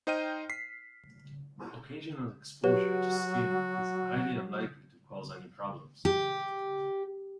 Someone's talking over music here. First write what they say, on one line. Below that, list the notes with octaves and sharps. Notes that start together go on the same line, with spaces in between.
Occasional exposure to skin is highly unlikely to cause any problems.
D#4 C5 D#5 G5 F6 D#7
B6 C7
F#3 F#4 G4 B4 C#5
G4